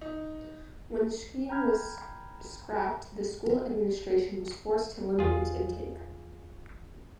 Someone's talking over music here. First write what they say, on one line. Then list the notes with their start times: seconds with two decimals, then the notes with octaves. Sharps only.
When the scheme was scrapped, the school administration was forced to limit its intake.
0.01 D#4
1.49 G5 A#5 B5 F6 G#6
5.19 E2 F4 G#4